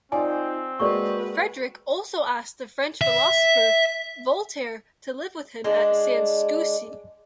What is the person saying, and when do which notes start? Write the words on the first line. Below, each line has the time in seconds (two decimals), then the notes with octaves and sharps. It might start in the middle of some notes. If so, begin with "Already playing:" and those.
Frederick also asked the French philosopher Voltaire to live with him at Sanssouci.
0.12 C4 D#4 F4 D5 G#5
0.79 G#3 A#3 F#4 B4 D5 C#6
3.01 E5
5.64 G#3 D4